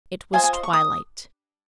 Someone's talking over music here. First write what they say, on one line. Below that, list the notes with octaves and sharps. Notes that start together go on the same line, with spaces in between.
It was twilight.
F4 C5 D#5 G#5
G#5
C6
C#6
D#6